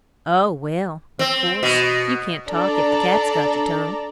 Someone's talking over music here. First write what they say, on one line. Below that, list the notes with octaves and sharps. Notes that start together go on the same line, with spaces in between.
"Oh, well, of course, you can't talk, if the cat's got your tongue."
C4
B2
D4 A4 D5 A#5